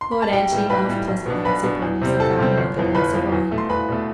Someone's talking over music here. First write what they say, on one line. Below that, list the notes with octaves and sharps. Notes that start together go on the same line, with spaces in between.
Lord Antony laughed pleasantly as he poured himself out another glass of wine.
C6
B5
A5
B1 G4 G5
A2 E3 G3
B1 B4 B5
A2 E3 G3
B1
B2 B3 D4
B1 B4 B5
B2 B3 D4
E2
C3 G3 C4
E2 A4 A5
C3 G3 C4
G1
F2 E3 B3
G1 B4 B5
F2 E3 B3
E2
B2 A3
C6
E2 B4 B5
B2 A3